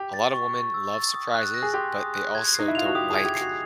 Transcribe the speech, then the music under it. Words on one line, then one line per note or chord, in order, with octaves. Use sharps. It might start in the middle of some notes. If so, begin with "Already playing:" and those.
a lot of women love surprises, but they also don't like,
Already playing: G4
A6
C#6
C#6
E6
A6
D#6
F#6
A#6
G#4
G4 C6
D#6
F#6
G#6
D#4 C7
E4
F4 F7
F#4
G4 D#6
G#4
G#6
G4
C7
F#4